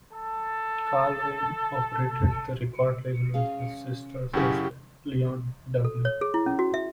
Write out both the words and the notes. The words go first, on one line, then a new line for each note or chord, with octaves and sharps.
Carl Wayne operated the record label with his sister's husband, Leon Dudley.
A4 A5
C#4 G#4 F5
F#2 C#3 E4 G4
A4
C#5
G#4
E4
C#4
F#4
E5